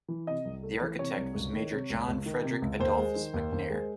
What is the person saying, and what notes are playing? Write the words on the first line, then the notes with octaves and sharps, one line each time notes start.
The architect was Major John Frederick Adolphus McNair.
E3
C3 D#5
C2
A3
E3
C3 C#5
C2
C#2
D#3
C3
C#2
C#2
D#3
C3
C#2
D#2 C5
G#3
D#3
D#2
D#2
G#3